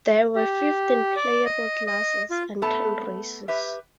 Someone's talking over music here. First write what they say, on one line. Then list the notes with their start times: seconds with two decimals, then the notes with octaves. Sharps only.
There were fifteen playable classes, and ten races.
0.36 G4
1.16 D5
1.46 D#5
1.87 D#5
2.31 F4
2.62 A3 B3 A4 A5
3.48 G4 B4 E5